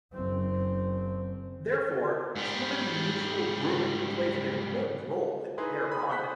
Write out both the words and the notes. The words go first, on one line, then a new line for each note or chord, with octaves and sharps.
Therefore, human mutual grooming plays an important role in pair bonding.
F#1 C4
G#2 G3
D#4 E4 G#4 B4 C6 D#6
B5 D#6
C5 F#5 B5 F#6 G6 B6